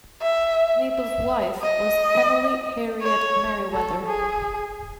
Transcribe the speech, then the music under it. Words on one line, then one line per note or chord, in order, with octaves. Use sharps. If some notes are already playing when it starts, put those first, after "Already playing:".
Maple's wife was Emily Harriet Merryweather.
E5
E5
D#5
C#5
A4
G#4